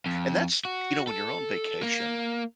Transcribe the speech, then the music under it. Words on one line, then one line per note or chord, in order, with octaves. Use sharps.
And that's you know, when you're on vacation
F2
F#4
A4
A#3